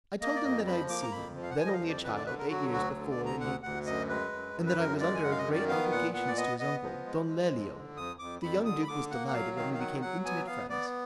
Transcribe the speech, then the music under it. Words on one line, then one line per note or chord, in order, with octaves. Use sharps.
I told him that I had seen him, then only a child, eight years before in Naples, and that I was under great obligations to his uncle, Don Lelio. The young duke was delighted, and we became intimate friends.
A#3 D#5
D5
F2 D#5
F3 B5
A#3 D6
A#5
F2 B5
F3
F5
F#5
F3 G#5
D#5
F5
F2
D5
D3 B4
D5
D3 B4
A#4
F#3 F#4
D2 F#4
D3
D5
D2
A#5
D2 F#5
D2 F#5
F#2 D#5
G#3 B4
F#2
F#2
B4
F#2 A#4
G#3 D5
G#5
F#2 F#5
F5
D#5
D#3
D5
B3 F5
A#2 F#5
B3 F#5
D5
B3 D#5
B3 D#5
F3
G#3
G#3
F2
D3
F2 D#6
F2 D6
F2 B5
D3 D#6
B5
D3 D6
A#3 F#5
F#5
F#3 F5
D#3 F5
F5
F#3 F#5
F#3 F#5
B3 G#5
B3 F5
B3 D5